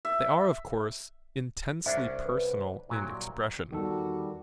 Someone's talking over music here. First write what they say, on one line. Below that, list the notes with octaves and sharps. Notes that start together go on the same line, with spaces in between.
They are, of course, intensely personal in expression.
E5
C2 C#4 D4 E5
B4
A#2 F#3 G3 A#3 E4 G5
E2 D#3 G3 F#4 A4